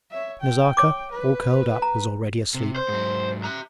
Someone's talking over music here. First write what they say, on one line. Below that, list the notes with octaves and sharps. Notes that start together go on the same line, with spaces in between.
Nazarka, all curled up, was already asleep.
C#5 E5
G5
C#5 D6
B4
A#5
C3
C5
G#2 F#3
E5 A#5